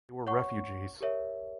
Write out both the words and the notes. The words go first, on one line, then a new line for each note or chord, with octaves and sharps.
They were refugees.
C#5 F#5 C#6
G4 A#4 C#5 E5